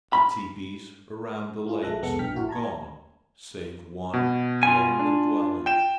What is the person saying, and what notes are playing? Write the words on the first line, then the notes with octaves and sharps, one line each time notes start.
The teepees around the lakes were gone, save one lonely dwelling.
B5
A3 E4 F4 G#4
A#1 G#3 A4 E5 F#6 A#6
C2 F2 G#3 B3 A4 C#7
B1 G2 G5 F6 B6
A1 E4 F#4
A5 A#5 G#6
B2
F4 G#5
D4
G5 E7